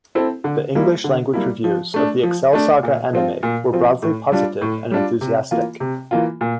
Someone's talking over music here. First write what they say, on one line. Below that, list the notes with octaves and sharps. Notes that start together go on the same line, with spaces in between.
The English-language reviews of the "Excel Saga" anime were broadly positive and enthusiastic.
C4 E4 A4
D3
G3 A#3 E4
D3
G3 A#3 E4
F3
A3 D4
F3
A3 D4
A#2
F3 C4 F4
A#2
F3 C4 F4
A2
G3 D4 F4
A2
G3 D4 F4
C3
E3 A#3 F4
C3
E3 A#3 F4
A#2